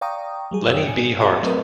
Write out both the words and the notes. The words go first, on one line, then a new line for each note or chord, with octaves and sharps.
Lenny B. Hart.
D5 F5 G5 A#5 C#6 D#6
F#3 G3 G#4
F#2 C#5 G5 D#6 E6
A2 G#5 C#7
G#4 D#5 F#5
F#3 A3 C4 A#4 B4 D#5